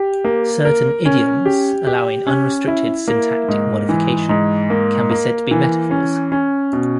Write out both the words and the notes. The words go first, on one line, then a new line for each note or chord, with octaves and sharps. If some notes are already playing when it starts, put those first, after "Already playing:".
Certain idioms, allowing unrestricted syntactic modification, can be said to be metaphors.
Already playing: G4
A#3
A#4
C#4
G4
G4
C#4
E4
A#3
G#2
E3
G#2
A#3
A#3
E3
C#4
C#4
B2